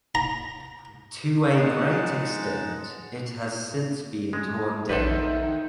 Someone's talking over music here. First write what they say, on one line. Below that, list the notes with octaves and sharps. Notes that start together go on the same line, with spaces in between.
To a great extent, it has since been torn down.
A#5
G#3 D#4 F#5 A5
G#3
A#1 D#3 A4 B4 C5 E5 F#5